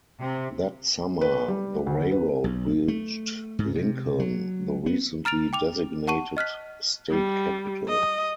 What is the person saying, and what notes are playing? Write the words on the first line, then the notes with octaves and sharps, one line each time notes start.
That summer, the railroad reached Lincoln, the recently designated state capital.
C3
B4
G3
D2
B4
B1
A3
G#2
C3
F#3
B3
A#5 F6 A6 D7 F7
G5 D6 F7
F#5 A5 C#6 D#7
D#5 F6 F#6 B6
G3
D#5